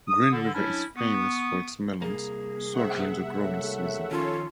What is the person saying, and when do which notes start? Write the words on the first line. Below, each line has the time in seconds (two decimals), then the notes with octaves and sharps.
Green River is famous for its melons, sold during the growing season.
0.08 D#6
0.31 D3
0.54 F#3 C#4 D4 E4
0.97 B3 C#6 D#6
2.02 C2 A#3 G#4
2.74 C3 E5 F#5
3.40 D#2 C#3 A3
4.11 D#3 F3 C#4 F4 A4 C#5